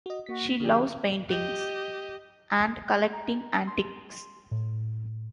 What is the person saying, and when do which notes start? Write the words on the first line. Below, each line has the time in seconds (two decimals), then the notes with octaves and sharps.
She loves paintings and collecting antiques.
0.06 F#4 D#5
0.26 A#3 F#4 B6
0.60 D3 F3 G4 G#4 D5
1.28 G4 D#5
3.13 A#5
3.67 C6
4.51 A2